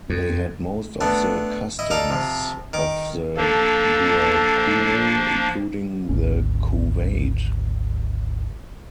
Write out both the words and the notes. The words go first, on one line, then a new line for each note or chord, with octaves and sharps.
They had most of the customs of the Guaycuru, including the couvade.
F2
A3 B3 D4
E4 D#5
D#4 A4 D5 F5 A#5
C3 F3
D#3 D6
F3 A#3 D4 A4
G#1 D2 C#4